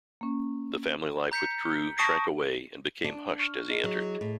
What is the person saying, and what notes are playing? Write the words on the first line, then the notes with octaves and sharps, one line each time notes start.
The family life withdrew, shrank away, and became hushed as he entered.
A#3 C#4
A#5 G6 B6 C#7
A5 C#6 D#6 A#6 D7
D4
C#6 F6
E4 G#4 D#5
F#3
A2